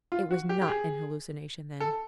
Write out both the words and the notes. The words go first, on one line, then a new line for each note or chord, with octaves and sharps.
It was not an hallucination, then.
F4
F#4
G4
G4
G#4
A4